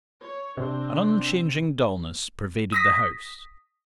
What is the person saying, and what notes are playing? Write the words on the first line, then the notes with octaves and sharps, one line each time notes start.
An unchanging dullness pervaded the house.
C#5
C3 C4 D4
D#6 A#6 B6